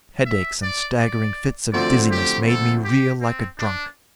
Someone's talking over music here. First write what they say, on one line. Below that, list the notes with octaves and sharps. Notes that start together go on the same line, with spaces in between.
Headaches and staggering fits of dizziness made me reel like a drunk.
E5
D5
D5
D2 D3 F3 C4 D5
G4
A4
G4
C4
D4